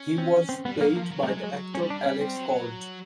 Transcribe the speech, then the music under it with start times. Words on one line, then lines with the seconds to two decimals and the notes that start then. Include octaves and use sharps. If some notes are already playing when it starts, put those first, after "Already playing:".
He was played by the actor Alex Cord.
Already playing: C#4
0.18 C4
0.49 C4
0.65 G3 B3
0.76 F3
0.81 F#3 A#3
0.96 F3 A#3
1.11 F#3
1.23 A3
1.28 G#3
1.44 G#3
1.74 G3 C#4
1.90 D4
2.06 C#4
2.21 C4
2.36 F#3